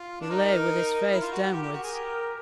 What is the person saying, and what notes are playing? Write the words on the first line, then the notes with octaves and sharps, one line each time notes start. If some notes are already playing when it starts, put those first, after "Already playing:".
He lay with his face downwards.
Already playing: F4
D4
D#4 A#4
E4
F4
F#4
F#4
G4 A#4
G4
F#4
G#4
G4